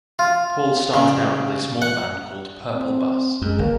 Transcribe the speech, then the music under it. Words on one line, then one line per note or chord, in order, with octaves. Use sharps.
Paul started out with a small band called "Purple Bus".
F4
C#3
F#5
C4
F#2 G#3
G1 A#3